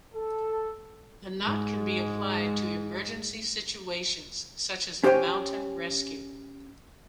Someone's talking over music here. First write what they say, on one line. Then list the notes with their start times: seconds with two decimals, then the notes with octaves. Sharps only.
The knot can be applied to emergency situations, such as mountain rescue.
0.15 A4
1.41 G#2 G#3
5.03 C#4 G4 C5 C#5 G5 G#5